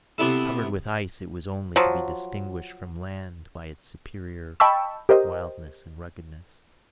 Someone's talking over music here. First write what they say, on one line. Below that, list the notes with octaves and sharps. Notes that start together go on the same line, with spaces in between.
Covered with ice, it was only to be distinguished from land by its superior wildness and ruggedness.
C3 B3 E4 A4
F3 F#3
D#5 G5 A5 B5 C#6 E6
G4 A#4 C5 D#5